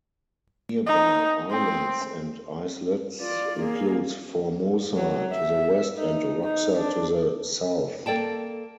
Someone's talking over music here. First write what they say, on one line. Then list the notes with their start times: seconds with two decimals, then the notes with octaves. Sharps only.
Nearby islands and islets includes Formosa to the west and Roxa to the south.
0.87 D#4
1.50 C4
3.21 F4 D5
3.59 A#3 G#4
4.97 F#3
5.33 E5
5.98 D#4
6.44 D#4
6.77 D4
8.06 A#3 A4 D5 G5 A5